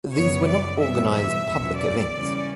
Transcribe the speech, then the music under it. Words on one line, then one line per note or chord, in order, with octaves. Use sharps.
These were not organized public events.
F#2 C#3 F#3 B3 C#5
D5
E2 B2 G3 B3 E5
E5
E2 B2 F#3 C#4
D5
C#3 E3 G3 C#4